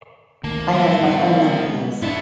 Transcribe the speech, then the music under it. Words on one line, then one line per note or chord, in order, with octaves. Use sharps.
I have my own ideas.
C#2 D#3 A3 A#3 A5
G3 B3 A#4 E5 A5
G#3
G#2 B3 D4 E4 B4 F5 A5